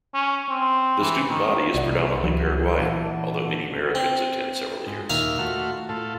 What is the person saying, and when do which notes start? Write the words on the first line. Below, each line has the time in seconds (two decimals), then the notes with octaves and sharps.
The student body is predominantly Paraguayan, although many Americans attend several years.
0.14 C#4
0.49 C4
1.00 E3
1.30 D#3
1.75 C2 D5 E5 F#5
2.23 C#2 E3 F#3
2.79 A#2 E3 F#5 A5
3.95 C4
4.86 G#2
5.10 D#2 A#2 E5 F5
5.39 A3 F4 F#4
5.89 A2 F4 A4